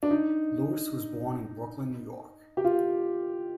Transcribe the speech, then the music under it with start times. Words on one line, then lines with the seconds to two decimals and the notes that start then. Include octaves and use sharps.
Lewis was born in Brooklyn, New York.
0.03 D4
0.11 D#4
2.57 G4
2.64 F4